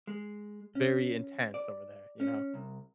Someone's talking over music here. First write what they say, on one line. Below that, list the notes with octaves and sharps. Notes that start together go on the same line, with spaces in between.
very intense over there, you know?
G#3
C#4
D5
C#4
C2